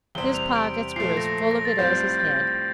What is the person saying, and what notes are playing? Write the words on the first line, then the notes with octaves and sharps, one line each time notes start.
His pockets were as full of it as his head.
E2 C3 G3 C4 G7
F7
D7
A#2 F3 A3 C7
A#6
C7
A#6
A6
A2 G3 C4 F4 G6
A6